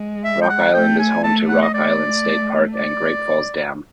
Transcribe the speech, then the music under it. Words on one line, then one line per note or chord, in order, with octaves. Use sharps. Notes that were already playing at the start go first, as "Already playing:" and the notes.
Rock Island is home to Rock Island State Park and Great Falls Dam.
Already playing: G#3
E5
G5
F#5
A3 G5
G#5
A3 A5
F#5
D#5
A3 D5
D5